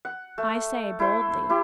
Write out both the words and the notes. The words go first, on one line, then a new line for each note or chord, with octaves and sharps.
I say boldly.
F#5
A3
E4 C5
E4 G4